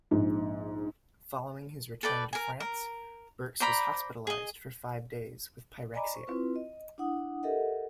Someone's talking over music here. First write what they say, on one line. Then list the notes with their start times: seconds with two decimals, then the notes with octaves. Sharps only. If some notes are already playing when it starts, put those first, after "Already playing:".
Following his return to France, Birks was hospitalised for five days with pyrexia.
0.11 A#1 G#2
2.03 A4 B4 D5 G5
2.33 A#4 G#5
2.60 A#4
3.60 C5 D5 A#5 B5
4.27 G#4 D#5
5.94 D5 D#5 G#5 A#5 B5 D6
6.14 C5 C#6
6.27 C4 E4 F4 B4
6.56 D#5
6.98 D4 E4 F#5 D#6
7.43 G4 A4 A#4 D#5 E5 F#5